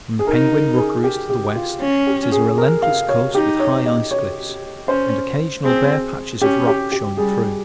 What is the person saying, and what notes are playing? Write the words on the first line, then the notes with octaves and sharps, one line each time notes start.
From the penguin rookeries to the west it is a relentless coast with high ice cliffs and occasional bare patches of rock showing through.
G#4
D#4 A#4
A#4
G#4
G4
G4
F4
C#4
G4
G#4
A#4
F5
C#5
D#4 G4
C#5
D#5
C#5
C#4 C5
C4 G#4
C#4 G4
G4
G4
G3 G#4